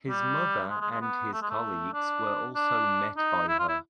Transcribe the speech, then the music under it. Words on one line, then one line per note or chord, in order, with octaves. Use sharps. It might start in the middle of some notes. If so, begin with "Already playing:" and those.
His mother and his colleagues were also met by her.
G3
G#3
G#3
G#3
B3
A3
G#3
A3
D4
D4
D#4
E4
F4
E4